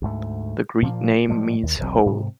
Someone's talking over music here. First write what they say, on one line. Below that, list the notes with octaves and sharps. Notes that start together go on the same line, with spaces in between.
The Greek name means "whole".
D2 G#2 A3
A#2 F3 A3 A#3
A2 F3 G3 G#3
D#2
E1 B1 F#3 C4
G#2 C3